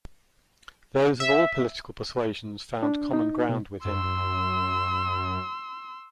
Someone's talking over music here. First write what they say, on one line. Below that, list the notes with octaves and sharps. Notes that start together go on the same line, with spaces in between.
Those of all political persuasions found common ground with him.
E5
D4
D#4
B2
F#2 C6 E6